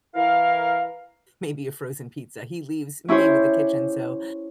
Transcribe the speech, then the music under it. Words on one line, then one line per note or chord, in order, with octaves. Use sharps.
maybe a frozen pizza. He leaves me with the kitchen, so,
E3 E4 A#4 F5
C#4 E4 G4 C5 C#5